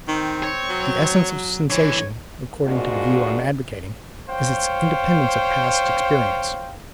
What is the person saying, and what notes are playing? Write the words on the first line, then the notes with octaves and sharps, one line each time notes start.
The essence of sensation, according to the view I am advocating, is its independence of past experience.
D#3 C4
C#5
F#3
D3 E3 C#5
G#2 G#3 A#3 D4 F4 F#4
C5 C#5 F5 G5